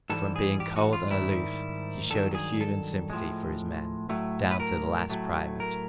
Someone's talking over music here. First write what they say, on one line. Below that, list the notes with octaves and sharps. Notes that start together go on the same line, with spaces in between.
From being cold and aloof, he showed a human sympathy for his men, down to the last private.
G#2 E3 G3 A4
G#4
G4
F#4
F4
G#2 D#3 G3 E4
G2 D#3 F#3 A4
G#4
A4
A2 F3 G#3
A2 F#3 A3
B4
A#4
A2 F#3 A3
A#4